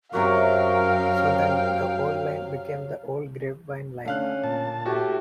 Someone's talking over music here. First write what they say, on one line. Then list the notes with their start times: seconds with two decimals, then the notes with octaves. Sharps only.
So then, the old line became the Old Grapevine Line.
0.13 F#2 C3 F#3 F#4 A#4 F5 G5
4.06 D3 A3 C#4 F5 F#6
4.44 A#2 A5
4.86 A2 F#4 G4